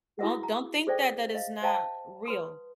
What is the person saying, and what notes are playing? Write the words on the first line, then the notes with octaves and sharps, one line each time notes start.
don't don't think that that it's not real.
E4 F#4 G#4 A#4 E5 F#5
A#5
G#4 A4 C5 D5 E5 G5
D#5 F5
C5 D#5 F5 G5 A5 A#5
B4 C6 D#6